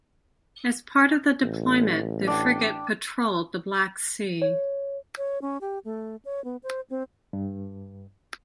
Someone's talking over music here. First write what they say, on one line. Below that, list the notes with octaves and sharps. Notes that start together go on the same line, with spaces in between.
As part of the deployment, the frigate patrolled the Black Sea.
A1
D4 G5
C#5
C#5
C#4
G4
A3
C#5
B3
C5
C4
G2